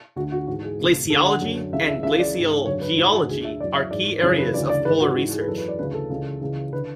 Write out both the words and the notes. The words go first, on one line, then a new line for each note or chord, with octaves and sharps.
Glaciology and glacial geology are key areas of polar research.
D2 D3 F#4
F#4
G#2 E3 F#4
G#4
C#2 B2
D2 D3 A4
F#5
F#2 D3
C#2 C#3 E3 E5
E5
C#2 C#3 E3 E5
D5
G#2 E3
F#2 D3 C#5
B4
G#2 E3 E4
F#4
D2 D3 G#4
E5
F#2 E3 D5
E5
G#2 E3 D5
F#2 C#3 E3 C#5
B4
D2 C#3 E3 D5
D5
G#2 E3 B4
F#4
G#2 E3 F#4
G#4
B4
F#2 E3 A4
B4
D5
D2 C#3 E3 B4
A4
C#2 C#3 E3
C#2 C#3 E3
D3 B4